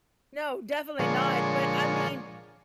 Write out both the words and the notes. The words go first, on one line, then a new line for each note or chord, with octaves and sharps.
No, definitely not, but, I mean,
A#2 D3 F3 G#3 C#5